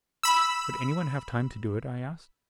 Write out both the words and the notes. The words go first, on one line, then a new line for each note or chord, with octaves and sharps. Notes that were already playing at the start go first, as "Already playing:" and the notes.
"Would anyone have time to do it?" I asked.
B5 E6